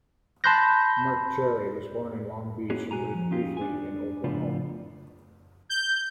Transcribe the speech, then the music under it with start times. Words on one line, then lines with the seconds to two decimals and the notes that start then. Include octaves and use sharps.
Marc Cherry was born in Long Beach and lived briefly in Oklahoma.
0.44 A5 B5 C6 F#6 G6 A#6
2.70 A#3 B3 C#4 D#4 F#4 G#4
2.91 B1 F#4 G#5 A#5
3.14 F3
3.31 C#4 D#4 F4 G4
3.57 D4 G#5
4.24 A2 C#3 F3 B3 D4 F4
5.69 G6